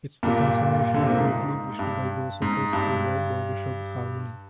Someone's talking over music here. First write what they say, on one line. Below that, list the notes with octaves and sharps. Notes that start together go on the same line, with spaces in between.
It's the consummation devoutly wished by those of us who love Barbershop harmony.
G2 A#2
D3
C3
A#2
G#2
G2
G#2
G2